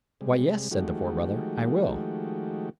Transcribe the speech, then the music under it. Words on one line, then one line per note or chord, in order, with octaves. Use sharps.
"Why, yes," said the Poor Brother, "I will."
C3 G3 G#3
D#3 F3 G#3 A3 F#4 G4